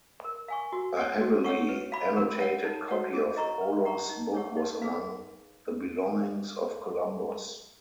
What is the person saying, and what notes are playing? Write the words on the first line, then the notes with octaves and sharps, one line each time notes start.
A heavily annotated copy of Polo's book was among the belongings of Columbus.
A#4
F5 G#5 C#6
F#4
C#5 F#5
F#4
C#5 F#5 C#6
B4
F5 B5
A#4
C#5 F#5
D#4
F#4 C#5 F#5
G#4
D#5 A#5 C#6
B4
F#5 A#5 C#6
D#4
G#4 C#5 F#5 C#6
D#4
G#4 B4 F5